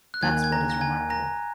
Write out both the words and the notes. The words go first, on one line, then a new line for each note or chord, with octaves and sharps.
That's what is remarkable.
F#6
D#2 D#3 A#3 G#5 G#6
G#6
A#5 A#6
A#6
G#5 G#6
A#5 A#6